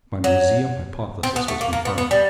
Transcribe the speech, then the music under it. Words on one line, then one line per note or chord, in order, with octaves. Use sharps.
My museum hypothesis was confirmed.
F#3
C4
B3
A3
A#3
A#3
B3
B3
G3